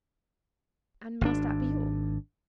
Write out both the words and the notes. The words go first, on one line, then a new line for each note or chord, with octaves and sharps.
"And must that be all?"
G#1 D#3 D4